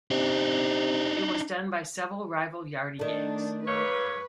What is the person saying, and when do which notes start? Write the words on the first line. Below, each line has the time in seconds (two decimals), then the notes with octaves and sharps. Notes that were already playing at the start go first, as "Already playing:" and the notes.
It was done by several rival yardie gangs.
0.11 C3 D4 D#4
2.99 D#3 A3 D4 D5
3.66 G#2 A#3 B4 C#5 C#6